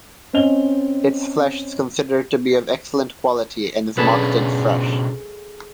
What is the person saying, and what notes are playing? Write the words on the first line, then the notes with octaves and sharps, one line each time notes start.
Its flesh is considered to be of excellent quality and is marketed fresh.
C4 C#4 D#5 F7 G7
B2 C#4 D4 G#4 A4 B4